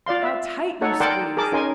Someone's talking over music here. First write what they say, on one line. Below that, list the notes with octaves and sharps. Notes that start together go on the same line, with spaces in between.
How tight you squeeze!
F4 D5 F5 C6
E5
D#4 A4 C#5 F#5
A#4 D5 F#5 G5 A5 C6
G#4 A#4 A5 D6
C#4 D#4 A#4 G#5 C6